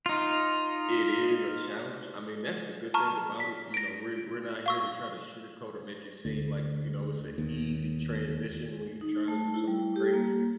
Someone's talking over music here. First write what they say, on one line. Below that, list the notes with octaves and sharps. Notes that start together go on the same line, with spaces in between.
it is a challenge, I mean, that's the good thing about it, you know, we're we're not here to try to sugarcoat or make it seem like, you know, it's a easy transition when you try to do something great,
D#4 F4
A5 A#5 C#6 F6
B6
A#6 D7
F5 C#6 E6
D2
D#2
D#2
D#4
A3
E4
G3
G4
A#3